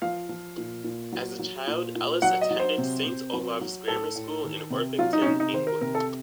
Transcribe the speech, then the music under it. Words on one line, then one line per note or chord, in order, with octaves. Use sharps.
As a child, Ellis attended Saint Olave's Grammar School in Orpington, England.
F3 F5
F3
A#2
A#2
F#3
F#3
A#2
A#2
F#3 F#5
D#5
F#3
C5
C3
C3
F#3
F#3
A2 A4
A2
D#3
C3
F#3 F4
D#4
C#4
C3 D#4
D#4
D#3 C5
A#4
C3 A#4
A4